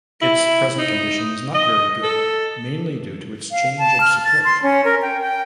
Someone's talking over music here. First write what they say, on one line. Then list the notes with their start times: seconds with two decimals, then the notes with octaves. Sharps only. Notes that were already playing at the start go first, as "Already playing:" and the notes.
Its present condition is not very good, mainly due to its change of support.
0.22 E4
0.78 D#4
1.54 D#5
2.03 A4
3.52 F5
3.78 A5
4.01 F6
4.24 A6
4.45 C6
4.63 C#4
4.85 A#4
5.02 G5
5.21 G5